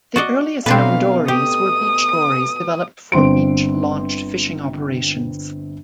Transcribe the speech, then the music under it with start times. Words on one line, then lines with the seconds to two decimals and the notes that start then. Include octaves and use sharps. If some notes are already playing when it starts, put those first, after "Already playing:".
The earliest known dories were beach dories developed for beach-launched fishing operations.
0.16 F#4 D5 D#5
0.66 B2 A3 C4 D4 B4 F5
1.28 G4 D#6
3.12 G1 C4 C6 D7